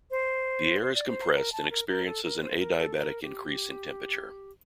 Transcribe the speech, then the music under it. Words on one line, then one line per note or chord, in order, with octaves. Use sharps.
The air is compressed and experiences an adiabatic increase in temperature.
C5
C5
D5
C5
A#4
A5
A#4
A#4
A4
A#4
C5
A#4
A4
A#4
G4